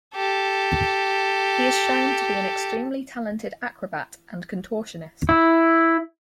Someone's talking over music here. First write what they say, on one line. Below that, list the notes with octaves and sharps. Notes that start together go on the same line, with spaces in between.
He is shown to be an extremely talented acrobat and contortionist.
G4 A4
E4